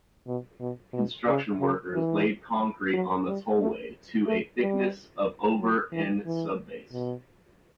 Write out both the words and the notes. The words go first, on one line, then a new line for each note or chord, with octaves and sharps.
Construction workers laid concrete on the tollway to a thickness of over an sub-base.
B2
B2
B2
C#3
C#3
E3
F#3
G3
A3
A3
G3
F#3
E3
E3
B2